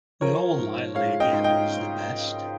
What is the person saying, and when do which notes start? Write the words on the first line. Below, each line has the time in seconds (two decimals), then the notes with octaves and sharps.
We all liked Lady Evans the best.
0.21 F3 A#4 C#5
0.58 G#2
0.95 G#3 C#5 F5
1.20 D#5 G5
1.33 G#2
1.44 D#5 G5